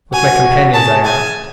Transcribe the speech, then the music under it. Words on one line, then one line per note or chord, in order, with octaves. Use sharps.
"With my companions?" I asked.
F#4 G#5
G#4 A5
G#5